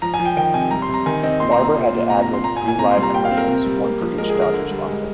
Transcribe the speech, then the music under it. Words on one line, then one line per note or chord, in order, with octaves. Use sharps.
Barber had to ad-lib three live commercials, one for each Dodger sponsor.
F3 A#5
G#5
F3
G5
D#3 G5
C3 G#5
G3 A#5
C6
C3
A#5
D#3 G#5
C4 D#5
A#2 C6
A#5
C4
A#5
A#2 C6
A#2
C3 A#5
A#5
C3
C6
A#2 A#5
G#5
A#2
G#5
C3 A#5
C6
G3
A#5
A#2 G5
F5
C4
A#4
C3
G3
A#3
F3
G#3 A#4
D3 G#4
A#4
D3
G3
G#3